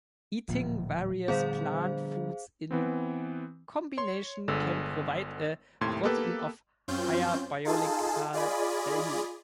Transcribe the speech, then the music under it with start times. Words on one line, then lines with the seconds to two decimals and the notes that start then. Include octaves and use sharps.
Eating various plant foods in combination can provide a protein of higher biological value.
0.48 D1 A#2 F3
1.28 D3 G3 B3 G#4 C5 F5
2.71 E3 B3 C4
3.98 C#5 C6
4.48 G1 D3 G#3 E6
5.81 D#2 A2 C3 C6 G#6
6.03 A#3 B3 G4 A4 B4
6.88 F#2 C4 C#4 F4 G6
7.65 D#4 F4 G#4 A4 A5
8.33 F4 G#4 D5 D#5 G#5 B5